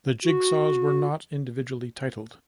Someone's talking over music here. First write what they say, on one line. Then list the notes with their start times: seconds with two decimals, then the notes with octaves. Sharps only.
The jigsaws were not individually titled.
0.24 F#4